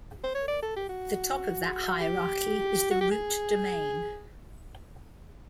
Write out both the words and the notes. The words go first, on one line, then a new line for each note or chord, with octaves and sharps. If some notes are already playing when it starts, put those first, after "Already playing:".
The top of that hierarchy is the root domain.
C5
C#5
D5
A4
G4
F#4
G4
F#4
G4
G#4